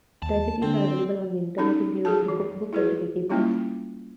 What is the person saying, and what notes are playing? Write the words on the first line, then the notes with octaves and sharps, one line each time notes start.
Recipes are available on the Internet, including the cookbook at Wikibooks.
D#2 A5
D3 C4 A5
C#4 D#4 A4
F#4 G#4 A4 A5
E3
E4 G#4 B4
G3 G#3 A#3 C#4 E4 F4